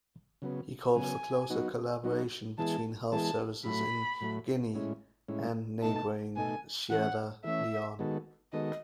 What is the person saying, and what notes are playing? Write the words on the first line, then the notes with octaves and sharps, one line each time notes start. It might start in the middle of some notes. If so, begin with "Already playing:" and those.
He called for closer collaboration between health services in Guinea and neighbouring Sierra Leone.
C#3 F#3 B3
C#3 F#3 B3 G#5
F#3 B3 D#4 F#4
F#3 B3 D#4 F#4
E3 G#3 B3 E4 G#4 A5
E3 G#3 B3 E4 G#4 A5
A2 F#3 A3 B5
A2 F#3 A3
A2 G#3 C#4 E4
A2 G#3 C#4 E4
B2 A3 D#4 A4 A5
B2 A3 D#4 A4 G#5
E3 A3 C#4 F#5
E3 A3 C#4 E5
D#3 G#3 B3 F#4 A4
D#3 G#3 B3 F#4 A4 D#5